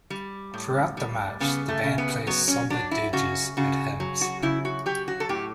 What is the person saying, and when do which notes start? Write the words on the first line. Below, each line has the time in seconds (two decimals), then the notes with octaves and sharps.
Throughout the march, the band plays somber dirges and hymns.
0.10 G3
0.54 A2
0.97 G3
1.40 C#3 B3
1.68 A3
1.84 C#3
1.98 B3
2.27 F#3 B3
2.48 C#4
2.70 F#3 D4
2.91 E4
3.13 C#3 F#4
3.57 C#3 F#4
4.00 F#3
4.21 F#4
4.42 C#3 E4
4.65 F#4
4.86 F#3 G4
5.08 F#4
5.20 A4
5.29 A2 G4